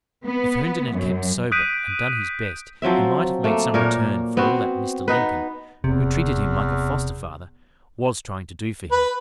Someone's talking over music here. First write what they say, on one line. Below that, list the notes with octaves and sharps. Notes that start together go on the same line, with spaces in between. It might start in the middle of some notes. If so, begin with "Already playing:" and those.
If Herndon had kept sober and done his best he might have made some return for all that Mr. Lincoln, who treated him like a foster-father, was trying to do for him.
B3
F#2
D#6 F#6 G6 B6 D7 D#7
F3 F#3 C4 E5
A3 A#3
A#2 A#4 C#5
B3 C4 F#4
B3 D#4 B4
F1 E2 C3
B4